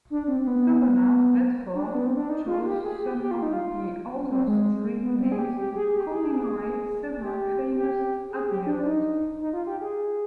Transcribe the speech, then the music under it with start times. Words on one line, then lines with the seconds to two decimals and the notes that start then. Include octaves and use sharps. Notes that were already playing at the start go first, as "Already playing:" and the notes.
Governor Bedford chose some of the older street names to commemorate several famous Admirals.
0.10 D4
0.28 C4
0.41 C4
0.47 B3
1.74 D4
1.95 B3
2.06 C4
2.17 D4
2.29 D#4
2.47 F4
2.65 G4
2.84 G#4
3.02 G4
3.20 G4
3.31 F4
3.42 D#4
3.53 F4
4.29 C4
4.47 G#3
5.02 B3
5.20 C4
5.32 G#4
5.38 G4
5.57 G4
5.75 G#4
5.93 G4
6.12 G#4
7.21 G4
7.75 G4
8.30 G#4
8.48 G4
8.67 D4
8.85 D#4
9.40 D#4
9.53 F4
9.67 G4
9.81 G#4